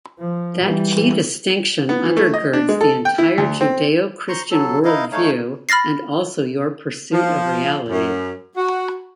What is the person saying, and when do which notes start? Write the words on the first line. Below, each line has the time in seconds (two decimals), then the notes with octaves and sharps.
That key distinction under-girds the entire Judeo-Christian worldview, and also your pursuit of reality.
0.19 F3
0.60 E3 G3
1.89 B3
2.05 E3
2.17 A3
2.34 D#5
2.53 D4
2.69 G#3
2.81 A4
3.05 G5
3.18 E4
3.38 D2
3.61 C4
4.29 C5 A#5 C6 C#6
4.51 F#3 A4
4.85 D#4 E4 D#5 F5
5.12 A3 D#4 C#5 F5
5.69 B5 F6 A6 A#6 C7
7.13 F3
7.89 F#2
8.57 F#4